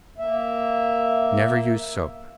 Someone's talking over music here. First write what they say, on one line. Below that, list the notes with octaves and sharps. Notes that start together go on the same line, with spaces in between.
Never use soap.
A#3 E5